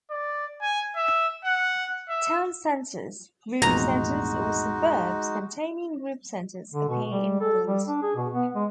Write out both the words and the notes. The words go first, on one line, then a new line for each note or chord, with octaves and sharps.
"Town centres", "Group Centres", or suburbs containing group centres, appear in bold.
D5
G#5
E5
F#5
E5
A1 F2 B2 G#3 D#4 F#4 A#5
D3
B2
G3
A4
G3
D4
G#4
B2
B3
G#3